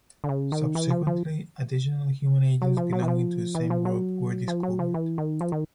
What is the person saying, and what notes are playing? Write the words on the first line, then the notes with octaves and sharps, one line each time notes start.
Subsequently, additional human agents belonging to the same group were discovered.
D3
C#3
D#3
E3
F3
F3
F#3
F3
F#3
E3
F3
E3
F3
F#3
F3
F#3
F3
E3
D#3
F3
D#3